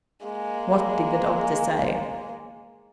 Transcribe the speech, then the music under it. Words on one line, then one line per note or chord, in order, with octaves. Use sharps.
"What did the doctor say?"
G#3 A#3